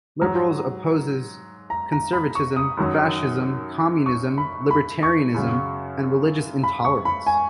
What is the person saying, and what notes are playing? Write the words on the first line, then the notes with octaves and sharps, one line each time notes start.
Liberales opposes conservativism, fascism, communism, libertarianism, and religious intolerance.
G#2 F#3 A#5
A#5
A#5
B5
C#6
D#6
F#2 D#3 F#3
C#6
B5
B5
C#6
F#2 C#3 F#3
B5
C#6
B5
G#5